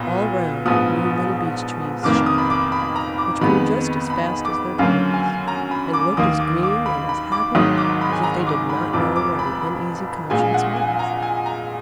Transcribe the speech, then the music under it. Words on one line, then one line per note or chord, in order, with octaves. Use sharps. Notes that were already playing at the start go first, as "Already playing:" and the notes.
All round new little Beech Trees shot up, which grew just as fast as their parents, and looked as green and as happy as if they did not know what an uneasy conscience was.
Already playing: B1 A#2 B3 A#5 B5
A#1 G#2 F3 B3 D#6
F1 F2 D#3 A#3 D6
D#6
B5
D6
B5
A#5
D6
F2 D#3 G#3 B3 B5
B5
D6
F#2 D3 F#3 A#3 F5
G#5
A#5
B5
D6
D#2 D#3 A#3 D#6
D6
D6
B5
B5
D6
G#1 G#2 D#3 F#3 D#6
D6
B5
G#5
A#5
D6
B5
F1 F2 F3 D6
D6
B5
A#1 A#2 G#3 G#5
F#5
G#5
A#5
G#5
A#5